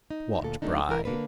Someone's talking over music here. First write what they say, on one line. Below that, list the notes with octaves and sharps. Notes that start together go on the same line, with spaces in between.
What bride?
D#4
D2 A#2 A4
F#3 G#3 A3 B3 D4 D#4
E3 A#4
D3 A#3 D4 B4